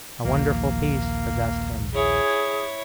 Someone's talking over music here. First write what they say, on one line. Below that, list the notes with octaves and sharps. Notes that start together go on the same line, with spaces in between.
A wonderful peace possessed him.
A#1 D#2 F3 A#3
E4 G#4 C#5